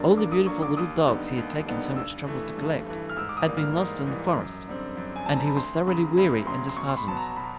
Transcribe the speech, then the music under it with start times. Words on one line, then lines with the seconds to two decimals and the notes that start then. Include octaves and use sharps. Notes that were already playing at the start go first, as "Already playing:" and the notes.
All the beautiful little dogs he had taken so much trouble to collect had been lost in the forest, and he was thoroughly weary and disheartened.
Already playing: G2 D3 F#3 A#3 D4
0.17 G2 D6
0.32 D#6
0.46 D3 F#3 A#3 D4 C#6
0.62 D6
0.77 D#2 D#6
1.06 D3 G3 B3 D#4
1.37 D#2
1.67 D3 G3 B3 D#4
1.96 G2 E6
2.26 E3 A3
2.57 G2
2.87 E3 A3
3.09 F6
3.17 G#2 E6
3.29 D6
3.37 D#6
3.47 E3 G3 A#3
3.57 F6
3.77 G#2
4.07 E3 G3 A#3
4.37 F#2
4.68 D3 G3 C4
4.97 F#2
5.16 G#5
5.26 D3 G3 C4 A5
5.37 A#5
5.47 B5
5.57 D2 C6
5.87 C#3 F#3 B5
6.17 D2 B5
6.47 C#3 F#3 C6
6.69 C6
6.76 B2 C#6
6.89 C6
6.97 B5
7.08 F#3 B3 A5
7.17 A#5
7.36 B2 B5